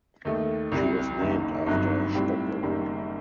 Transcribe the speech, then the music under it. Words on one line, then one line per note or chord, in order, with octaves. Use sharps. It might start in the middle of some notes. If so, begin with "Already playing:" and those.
She was named after Stockholm.
D#2 D#3 A3
C2 C3 G3
F#1 F#2 D#3
G1 G2 F#3 C4 D#4
A2 G3 C4
F#1 F#2 D#3 G3